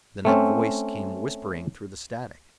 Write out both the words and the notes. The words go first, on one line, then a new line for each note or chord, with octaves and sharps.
Then a voice came whispering through the static.
A3 C4 C#4